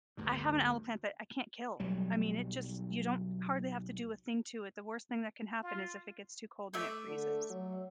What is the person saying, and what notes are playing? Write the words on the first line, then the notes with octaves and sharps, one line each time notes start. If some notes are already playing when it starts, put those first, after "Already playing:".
I have an aloe plant that I can't kill, I mean, it just you don't hardly have to do a thing to it, the worst thing that can happen is if it gets too cold and it freezes,
D2 G2 D3
B1 F#3 G3
F4
A3 D5 E5
D3
F#3